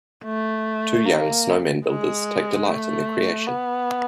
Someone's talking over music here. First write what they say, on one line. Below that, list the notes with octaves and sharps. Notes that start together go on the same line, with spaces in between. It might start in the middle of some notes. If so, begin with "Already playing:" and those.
Two young Snowman builders take delight in their creation.
A3
A#3
G#3
A3
B3